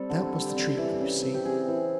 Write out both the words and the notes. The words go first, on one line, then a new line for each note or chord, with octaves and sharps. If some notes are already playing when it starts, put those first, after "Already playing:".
'That was the treatment, you see.
Already playing: G3 C4 A4
D3
G3
C4
E3
C#3
C4
G4
C4 G#4
E3